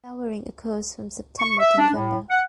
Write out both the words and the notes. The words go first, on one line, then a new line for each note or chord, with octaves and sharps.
Flowering occurs from September to November.
C#6
E5
D4
A2
F#5